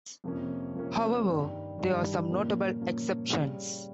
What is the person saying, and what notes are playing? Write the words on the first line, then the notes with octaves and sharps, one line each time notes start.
However, there are some notable exceptions.
F2 C3 F3 A#3 C#4
F2 C3 F3 A#3 C#4
G2 D#3 G3
G2 D#3 G3
A#2 F3 A#3 C#4
A#2 F3 A#3 C#4
C#3 G3 C#4